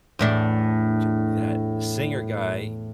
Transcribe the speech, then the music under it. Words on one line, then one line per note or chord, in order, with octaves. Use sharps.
t that singer guy,
E2 A2 D4